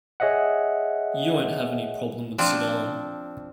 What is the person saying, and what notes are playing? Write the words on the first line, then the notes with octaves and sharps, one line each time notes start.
You won't have any problem with Saddam.
G#4 C#5 D#5 E5 F#5
F3 C4 D4